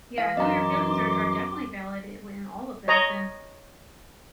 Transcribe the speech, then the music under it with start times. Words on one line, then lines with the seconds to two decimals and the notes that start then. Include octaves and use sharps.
Yeah, I know your feelings are are definitely validated when all of this and,
0.18 E3 F5
0.37 F#2 D#5 A#5 C6 D6
2.88 C#5 D#5 A#5